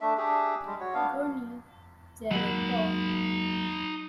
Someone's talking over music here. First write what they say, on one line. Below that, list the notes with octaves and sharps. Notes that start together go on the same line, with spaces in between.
Gurney, David Paul.
A3 D4 E5
D4 G4 G#4 E5
G3 G#3
F#4 C#5
B3 D4 F5
F#3 G#3 A#3 D#4 B5